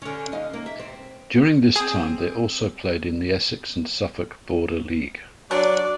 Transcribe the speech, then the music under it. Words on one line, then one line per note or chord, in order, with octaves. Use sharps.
During this time they also played in the Essex and Suffolk Border League.
D3 C#4
D#2 D#5 F5
A#3
E5
C4
C4 G#4 D#6
F#3 D4 D5